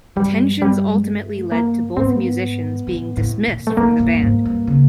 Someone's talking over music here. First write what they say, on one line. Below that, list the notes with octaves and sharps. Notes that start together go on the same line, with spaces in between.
Tensions ultimately led to both musicians being dismissed from the band.
G2 G3
G3
G#3
A3
A#3
G#2 C4
B3
A#3
B3
A2
A2
A#2
A3
A2 A#3
A2
G2
G#2
G2
C#3